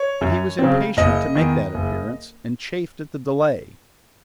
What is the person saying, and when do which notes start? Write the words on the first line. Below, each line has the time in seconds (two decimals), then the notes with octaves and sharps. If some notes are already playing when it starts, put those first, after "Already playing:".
But he was impatient to make that appearance, and chafed at the delay.
Already playing: C#5
0.21 F#2
0.59 C#3 F#3 C4
0.97 F#1 D#5
1.35 E2 D#3
1.74 F#1